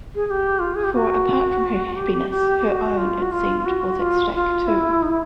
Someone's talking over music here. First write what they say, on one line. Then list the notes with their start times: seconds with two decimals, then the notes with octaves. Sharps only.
For apart from her happiness, her own, it seemed, was at stake too.
0.15 G#4
0.26 G#4
0.30 G4
0.60 F4
0.75 G#4
0.84 G4
0.94 F#4
1.96 G4
2.30 G4
2.64 G4
2.68 F#4
2.98 F4
3.22 F#4
3.32 F4
3.66 F#4
4.00 F4
4.34 F4
4.67 E4
5.02 D#4
5.09 E4